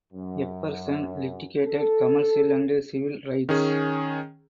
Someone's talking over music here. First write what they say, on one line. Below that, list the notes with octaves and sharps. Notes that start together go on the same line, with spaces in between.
Epperson litigated commercial and civil rights.
F#2
A4
D#3 C#4 G#4